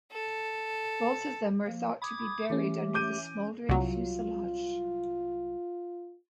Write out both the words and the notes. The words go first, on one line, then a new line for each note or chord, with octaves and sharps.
Both of them were thought to be buried under the smouldering fuselage.
A4
F3 A#3
B5 D6 D#6 G#6
E3 A3 C#4 G4
D6 G6 D#7
C2 F#3 F4